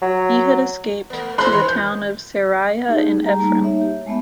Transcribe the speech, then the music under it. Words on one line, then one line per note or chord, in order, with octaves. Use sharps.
Ehud escaped to the town of Seraiah in Ephraim.
F#3
A3 B3
G#3 C4 C5 B5 C6 F#6
D#3 C#5
G6
A3 D#4 G4 G#4
G3 G4 G#4 A#5
G3 A3 A#3 D#4
D#4 C#5 E5
G4
G#3 A3 B3 E5